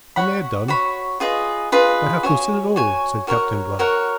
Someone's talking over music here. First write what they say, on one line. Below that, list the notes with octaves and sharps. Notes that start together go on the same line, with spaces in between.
When they had done, "I have considered all," said Captain Blood.
F#4 C#5 F#5 B5
F#4 C#5 F#5 B5
F4 G#4 B4 D#5
F4 G#4 B4 D#5
F#4 C#5 G#5
F#4 C#5 G#5
F#4 A#4 C#5 F#5
F#4 A#4 C#5 F#5